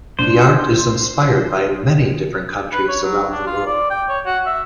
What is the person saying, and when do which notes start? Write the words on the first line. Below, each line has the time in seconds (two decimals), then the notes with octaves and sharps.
The art is inspired by many different countries around the world.
0.19 D4 C5
2.73 B4
2.89 C#5
3.04 F#3
3.31 D4
3.47 F4
3.66 D5
3.90 G5
4.09 C#5
4.26 F#4
4.46 E5